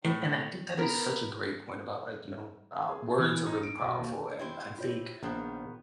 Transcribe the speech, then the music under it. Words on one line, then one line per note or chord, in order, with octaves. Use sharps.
And and I think that is such a great point about like, you know, uh, words are really powerful, and I think
A2
B3 A#4
G#4
E3
D#4
D7
B1
D#2
E4 G4 C5
F4 C#5
A#1 D#3 B3 C5